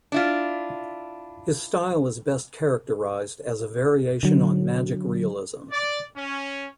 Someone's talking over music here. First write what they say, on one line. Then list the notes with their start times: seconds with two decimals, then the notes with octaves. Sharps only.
His style is best characterized as a variation on magic realism.
0.12 D4 E4 F4
4.23 D3 F#3
5.71 D5
6.17 C#4